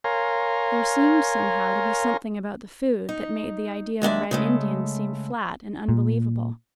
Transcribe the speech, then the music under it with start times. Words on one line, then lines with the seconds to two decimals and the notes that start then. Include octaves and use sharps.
There seemed somehow to be something about the food that made the idea of Red Indians seem flat and unbelievable.
0.04 A#4 C#5 F5 G#5 A#5 C6
3.09 D#4
4.02 D#2 G#3 D4 E5
4.31 C#3 G#3 A3
5.89 A#2